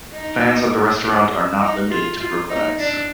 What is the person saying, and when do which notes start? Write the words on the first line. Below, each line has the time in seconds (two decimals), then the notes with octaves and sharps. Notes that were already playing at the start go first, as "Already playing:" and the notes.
Fans of the restaurant are not limited to Brooklynites.
0.14 D#4
1.61 D#4
1.91 F4
2.20 F4
2.50 D#4
2.79 D4